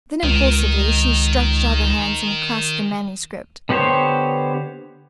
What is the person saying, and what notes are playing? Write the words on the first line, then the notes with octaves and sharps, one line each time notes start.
Then impulsively she stretched out her hands and clasped the manuscript.
C#2 D#3
D3 B3 G4 C5 C#5